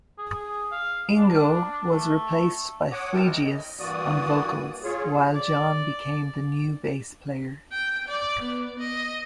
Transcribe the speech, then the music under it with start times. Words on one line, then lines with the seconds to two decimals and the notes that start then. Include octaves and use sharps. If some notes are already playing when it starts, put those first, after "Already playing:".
Ingo was replaced by Flegias on vocals, while John became the new bass player.
0.18 G#4
0.35 G#4
0.72 F5
1.17 D4
1.90 A3
2.92 C#5 F#5 D6 D#6
3.13 C4 E4 A#4 G5 A5
3.26 D#5
3.80 G2 E3 A#3 F#4 D5 D#6
4.84 F4 G#4 C#5
5.34 D5
7.72 G5
8.08 D5
8.41 B3
8.79 D#5